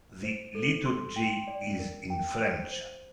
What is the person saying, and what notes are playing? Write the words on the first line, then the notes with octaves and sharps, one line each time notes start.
The liturgy is in French.
C5
A4
C6
G5
D5
A#4
G5
C5
C5